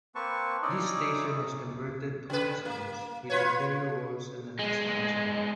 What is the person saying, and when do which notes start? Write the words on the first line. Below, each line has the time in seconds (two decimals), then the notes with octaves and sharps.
This station was converted to a residence, with interior walls and an expansion.
0.15 A#3 C4 B4 A5 C#6
0.62 C#4 D#4 E4 D5 D#5
2.30 C#3 B4
2.65 A#3
3.30 F4 B4 C#5
4.59 B1 G#3